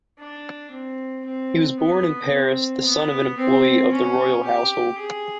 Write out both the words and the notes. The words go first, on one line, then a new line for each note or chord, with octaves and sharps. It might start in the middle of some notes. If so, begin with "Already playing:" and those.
He was born in Paris, the son of an employee of the royal household.
D4
C4
C4
B3
C4
B3
C4
C#4
G4
G#4